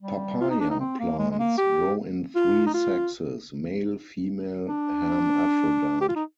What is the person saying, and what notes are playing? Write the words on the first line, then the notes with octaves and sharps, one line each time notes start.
Papaya plants grow in three sexes: male, female, hermaphrodite.
G3
F4
D#4
D4
D#4
C4
A#3
G#3
G#3
A#3
G4
F4
D#4
F4
D4
G4
F4
D#4